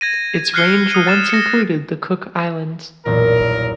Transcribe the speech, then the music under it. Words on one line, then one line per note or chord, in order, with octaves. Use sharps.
Its range once included the Cook Islands.
G#6 A#6 D#7
F6 F#6 G#6 C7 C#7 G7
D#6 C#7 D#7
A6 E7
A#6 C#7
B1 E2 G2 A#2 A#4